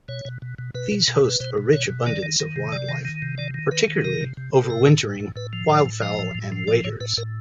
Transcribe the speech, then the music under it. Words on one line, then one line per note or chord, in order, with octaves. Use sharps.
These host a rich abundance of wildlife, particularly over-wintering wildfowl and waders.
B2 C#5
B2
B2
B2
B2 B4
B2
B2
B2 B4
B2 C5
B2
B2 C#5
B2
D#3 D5
D#3
D#3
C3
C3 D5
D#3
D#3
C3
D#3 D5
D#3
D#3 B4
D#3
C3 A#4
C3
C3
C3
A4
A2 A#4
A2
A2
A2
A2 B4
F3
A2 D5
A2
F3 D#5
A2
A2
F3
A2 D5
A2 C#5
A2 B4
A2 A#4